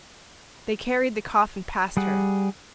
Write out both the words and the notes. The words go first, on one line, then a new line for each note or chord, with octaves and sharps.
They carried the coffin past her.
G3 G#4 F#5